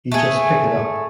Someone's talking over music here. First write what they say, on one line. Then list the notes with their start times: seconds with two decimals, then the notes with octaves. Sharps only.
You just pick it up.
0.12 A3 G#4